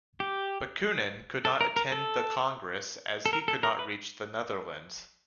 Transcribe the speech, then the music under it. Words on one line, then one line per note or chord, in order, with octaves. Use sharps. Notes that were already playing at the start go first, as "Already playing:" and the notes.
Bakunin could not attend the congress, as he could not reach the Netherlands.
G4
A4
A#4
A#4
A4
A4
A#4
A4
A#4
B4